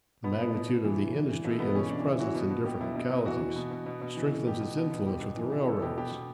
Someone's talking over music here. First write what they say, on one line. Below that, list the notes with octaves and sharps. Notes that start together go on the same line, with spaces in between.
The magnitude of the industry and its presence in different localities strengthens its influence with the railroads.
B2 B3
B2
B2
B2
E3
E3
E3
E3
B2 A3
B2 B3
E3 C#4
E3 D4
E3 E4
E3 F#4
B2
B2
B2 G4
B2 E4
B2
B2
E3 F#4
E3
B2
B2
B2
B2
E3
E3
B2 G4
B2
B2
B2
B2 G4
B2
E3
E3
B2 A4
B2 G4
B2 G4
B2